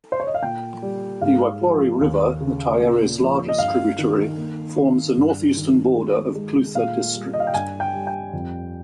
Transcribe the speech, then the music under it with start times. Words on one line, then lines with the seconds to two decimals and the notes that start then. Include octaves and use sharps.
The Waipori River, the Taieri's largest tributary, forms the northeastern border of Clutha District.
0.12 C5
0.20 C#5
0.27 D#5
0.34 F5
0.42 A#2 G5
0.82 G3
1.21 G#2 F5
1.61 F3
2.01 D#2
2.41 C#3
2.80 A#2
3.19 F3
3.49 D#5
3.58 G2 F5
3.98 D#3
4.38 A#3
4.77 D#3
5.17 G2
5.57 D#3
5.96 G#3
6.35 G#3
6.75 A#2 F5
7.15 G3
7.33 D#5
7.40 F5
7.47 G5
7.54 G2 G#5
7.80 G5
7.93 G3
8.07 G5
8.33 F2